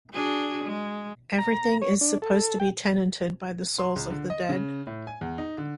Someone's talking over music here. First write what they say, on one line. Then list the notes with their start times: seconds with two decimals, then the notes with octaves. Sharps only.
Everything is supposed to be tenanted by the souls of the dead.
0.13 D4 F#4 G#4
0.64 G#3
1.38 A#5
1.82 C#5
2.01 D4
2.22 A4
2.60 G5
3.78 C6
3.96 C#2
4.10 D3
4.30 D#5
4.49 C#3
4.87 A2
5.07 G#5
5.21 E2
5.38 D#4
5.58 D3